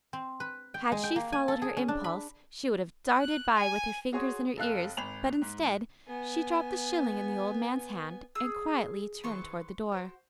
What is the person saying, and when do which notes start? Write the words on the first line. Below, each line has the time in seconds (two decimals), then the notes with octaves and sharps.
Had she followed her impulse, she would have darted by with her fingers in her ears, but instead, she dropped the shilling in the old man's hand, and quietly turned toward the door.
0.13 C4
0.40 B4
0.74 G5
0.92 G#3
1.04 G5
1.16 A#3
1.32 G#5
1.48 A4
1.62 G#4
1.77 C#4
1.88 D4
2.04 B5
3.20 F#6
3.54 G#5
4.12 F#4 G#4 C#5 G#5 C6 D#6
4.57 F1 A4 F5 F#6
4.97 G#1 B5 F7
5.42 G#2
6.08 B3 G#5
8.35 G#4 E6
9.24 D#3 B4 C6 C#6
9.92 F#4 C5